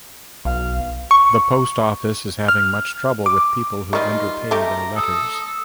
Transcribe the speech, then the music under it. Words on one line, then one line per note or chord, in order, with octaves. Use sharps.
The Post Office is having much trouble with people who under-pay their letters.
B1 F5
C#6
F6
D6
D#3 G3 F4 A#4 D#5
A3 G4 A#5
A4 D#6